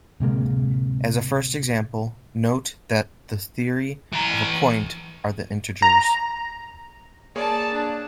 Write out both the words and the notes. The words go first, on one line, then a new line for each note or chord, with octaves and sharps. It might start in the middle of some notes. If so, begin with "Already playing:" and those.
As a first example, note that the -theory of a point are the integers.
D1 C3 G#3 A#3
E3 A#5
A#5
A#3 G#4 C#5 D5 A5
D4